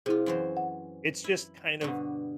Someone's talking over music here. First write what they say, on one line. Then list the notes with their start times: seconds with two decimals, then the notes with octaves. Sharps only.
it's just kind of
0.06 C3 E4 F4 G#4
0.26 F#2 E3 C5
0.57 F#5
1.24 E4
1.81 G2 B2 D3